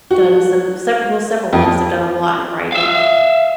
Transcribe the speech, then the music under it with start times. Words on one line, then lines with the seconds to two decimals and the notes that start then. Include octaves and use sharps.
done some sever well, several books. I've done a lot in writing
0.11 F#4
1.53 F2
2.72 E5 F5